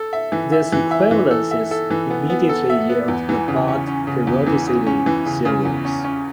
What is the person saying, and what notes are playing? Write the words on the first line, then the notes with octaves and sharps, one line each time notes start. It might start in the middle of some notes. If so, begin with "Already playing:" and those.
These equivalences immediately yield the Bott periodicity theorems.
Already playing: A4
E5
E3
E5
E3
E5
E3
A4
E5
A4
E3
B3
B3
A4
E5
B3
E2
E3
C#3
C#4
C#4
C#3
E2
E3
C#3
C#4
E3
C#3
C#3
E2
C#4
C#4